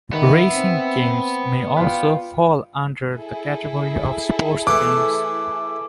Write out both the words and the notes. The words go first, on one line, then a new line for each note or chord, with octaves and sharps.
Racing games may also fall under the category of sports games.
D#3 B3 E5
C4
F4 B4 D5 G5
E4 G#4 A4
E3 A3 D6